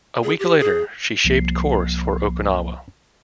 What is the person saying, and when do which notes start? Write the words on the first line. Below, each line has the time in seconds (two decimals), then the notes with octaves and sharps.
A week later, she shaped course for Okinawa.
0.24 G#4
0.39 G4
0.59 G#4
1.25 C2 F3 A#3 C7